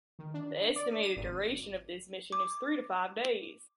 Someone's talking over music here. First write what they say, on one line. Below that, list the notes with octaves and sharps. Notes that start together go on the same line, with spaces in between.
The estimated duration of this mission is three to five days.
D#3
D4
D5
D#7
G#1
D6